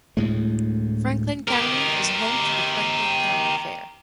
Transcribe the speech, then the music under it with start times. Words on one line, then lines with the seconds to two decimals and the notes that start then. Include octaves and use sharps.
Franklin County is home to the Franklin County Fair.
0.17 D2 A2 G#3
1.48 G4 A#4